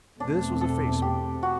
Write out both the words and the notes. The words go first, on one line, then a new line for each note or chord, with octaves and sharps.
This was a facer.
E2 B2 A3 C4 D4
A4
G4
F#4